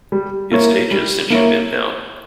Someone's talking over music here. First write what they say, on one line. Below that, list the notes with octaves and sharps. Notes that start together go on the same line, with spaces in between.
It’s ages since you’ve been down.
G3
A#3 E4 A#4 C#5
G3
A#3 E4 A#4 C#5